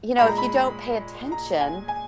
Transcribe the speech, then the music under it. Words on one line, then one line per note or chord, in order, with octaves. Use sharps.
you know, if you don't pay attention,
A#2 G#3 B5
A#5
B5
A#5
G#5
G#5